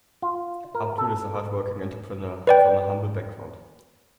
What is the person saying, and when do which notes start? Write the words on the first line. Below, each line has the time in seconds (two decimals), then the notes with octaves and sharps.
Abdul is a hard working entrepreneur from a humble background.
0.22 F4
0.75 A#4
0.98 A4
2.47 B4 D5 G5